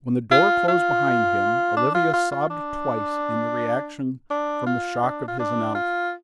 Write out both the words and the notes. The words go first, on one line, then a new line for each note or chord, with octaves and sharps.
When the door closed behind him Olivia sobbed twice in the reaction from the shock of his announcement.
F4
F4
D4
F4
F4
F4
D4
D4
F4
D4
F4
D4
F4